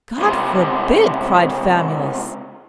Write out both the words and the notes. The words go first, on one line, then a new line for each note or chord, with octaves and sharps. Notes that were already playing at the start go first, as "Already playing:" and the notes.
"God forbid!" cried Famulus.
C#2 C3